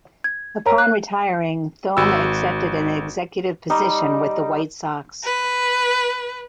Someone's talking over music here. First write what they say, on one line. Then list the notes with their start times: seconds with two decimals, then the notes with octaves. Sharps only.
Upon retiring, Thome accepted an executive position with the White Sox.
0.24 G#6
0.66 A#4 C#5 A#5
0.78 F#6
1.97 G#1 F#4 E6
3.70 G3 D#4 D5
5.24 B4